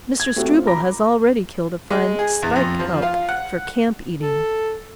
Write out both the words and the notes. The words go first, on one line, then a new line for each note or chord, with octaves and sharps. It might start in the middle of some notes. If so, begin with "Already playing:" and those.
Mr. Struble has already killed a fine "spike" elk for camp eating.
G#6
A3 C4 F#4 G4
F4 C5
A#5 B5 D6 A#6
G#3
G#4
E2
F2
F3
F4
F#5
A4